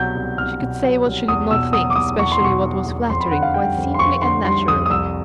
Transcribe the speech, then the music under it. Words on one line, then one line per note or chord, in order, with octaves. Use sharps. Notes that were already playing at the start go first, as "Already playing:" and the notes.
She could say what she did not think--especially what was flattering--quite simply and naturally.
Already playing: C2 B2 F#3 G6
C2
C2 F6
B2
F#3
C2
E2 D#6
B2 E6
F#3 D#6
D6
E2 D#6
E2 C#6
C6
B2 C#6
F#3
E2
F2 C6
B5
D3 F#5
F5
G3 G5
F2
C6
F2 C#6
D3 C6
G3 C6
F2 D#6
D#6
C2 E6